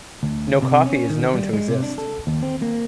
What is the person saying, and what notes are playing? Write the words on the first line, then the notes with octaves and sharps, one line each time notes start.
No copy is known to exist.
D2
C3
C#4
D#3
G3
G#3
C3
D4
A4
D#2
C4
A#3